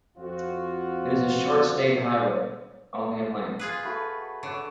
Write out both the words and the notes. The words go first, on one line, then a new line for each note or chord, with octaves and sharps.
It is a short state highway, only in length.
F2 C4 F4 F#4
F4 G#4 B4
A3 F#4 B5
D3 C#5 F#5